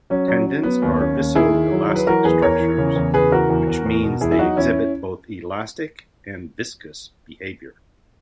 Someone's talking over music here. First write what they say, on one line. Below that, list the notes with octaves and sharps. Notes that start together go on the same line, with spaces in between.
Tendons are viscoelastic structures, which means they exhibit both elastic and viscous behaviour.
F#3 C#4
F#3
F#3
F#3 B3
D#2
D#2 C#4
D#2
D#3 E4 G#4
D#3
F#3
F#3
B4
E3 F#4 A#4
E2 G#4 B4
E2 A#4 C#5
E3
C#3
E2
C#3 G#4 B4
E3 F#4 A#4
E2
E2
E2
B2
E2 E4 G#4
E4
F#3 D#4 F#4
E2 C#4 E4